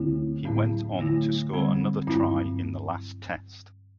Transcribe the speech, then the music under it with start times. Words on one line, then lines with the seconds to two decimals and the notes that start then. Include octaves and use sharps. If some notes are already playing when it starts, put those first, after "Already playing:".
He went on to score another try in the last Test.
Already playing: D2 D3 A3 C4 E4
0.45 A2 F#3 B3 E4
0.99 D3 F#3 A3 E4
1.53 D3 G3 C4
2.07 G2 F#3 C4 E4